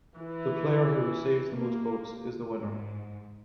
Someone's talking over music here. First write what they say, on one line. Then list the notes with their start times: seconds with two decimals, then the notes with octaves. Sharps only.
The player who receives the most votes is the winner.
0.16 E3
1.52 A#3
2.61 G#2